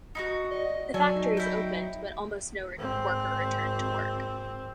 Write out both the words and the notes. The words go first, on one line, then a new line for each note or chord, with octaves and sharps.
The factories opened but almost no worker returned to work.
D#4 E4 F#4
D5 D#5
F#3 A4 C#5 D5 G#5
D#4
E4 G5
G#1 C4